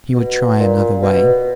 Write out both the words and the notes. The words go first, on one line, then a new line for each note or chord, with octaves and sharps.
He would try another way.
B2
A#2
B2